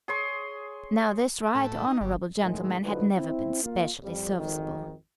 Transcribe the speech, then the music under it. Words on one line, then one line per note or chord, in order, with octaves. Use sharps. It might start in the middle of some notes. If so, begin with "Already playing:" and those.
Now this right honourable gentleman had never been specially serviceable.
G#4 C#5 C6
A2 A3
D#4
G1 G2
A2 D#3 G#3
D3 F3 A3 D#4 F#4 B4
C4 E4
A#3 F4
F2 G3
G#1 F2 D#3